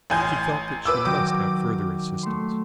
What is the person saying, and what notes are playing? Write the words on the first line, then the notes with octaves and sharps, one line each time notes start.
She felt that she must have further assistance.
A1 D#5 F5 G#5 C6 G6
B4 D6 E6
D#3 F#3 G5 D6
A3 C6